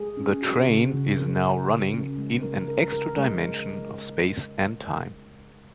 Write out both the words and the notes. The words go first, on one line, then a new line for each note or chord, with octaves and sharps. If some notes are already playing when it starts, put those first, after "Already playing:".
The train is now running in an extra dimension of space and time.
Already playing: G#3 G#4
C#4
F#4
C#3
C#3
A#4
A#4
F#4
C#4
G#3
A#4
A#4
A#4
G#3